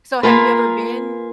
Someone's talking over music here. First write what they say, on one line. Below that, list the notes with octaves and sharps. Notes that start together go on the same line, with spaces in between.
So have you ever been
A#3 F4 G#4 A#4 B4